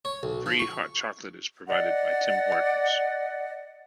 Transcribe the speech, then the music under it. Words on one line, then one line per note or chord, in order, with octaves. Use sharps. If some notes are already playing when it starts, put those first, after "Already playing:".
Free hot chocolate is provided by Tim Hortons.
C#5
B1
F3
C#6
D5 D#5 F#5